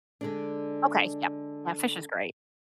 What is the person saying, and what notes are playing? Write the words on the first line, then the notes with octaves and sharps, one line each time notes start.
Okay, yep. Yeah, fish is great.
D3 G#3 D4